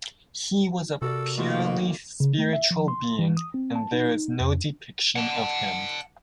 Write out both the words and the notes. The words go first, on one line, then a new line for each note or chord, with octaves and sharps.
He was a purely spiritual being and there is no depiction of him.
C3 F#4 A4 A#4 D5
B2 D#3 A3 A#3 F4 G4
C#3
A3
E5
F3
C6
E3
D#6
C4
A5
D#4
F2
F#5 A5